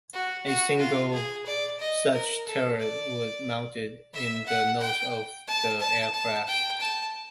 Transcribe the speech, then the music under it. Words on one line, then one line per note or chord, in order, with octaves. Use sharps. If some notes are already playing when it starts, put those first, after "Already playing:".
A single such turret would mounted in the nose of the aircraft.
F#4
F#4
F4
G#4
D5
D#5
A#4
A4
D5
E5
F#5
G5
A5
A5
A5
G5
A5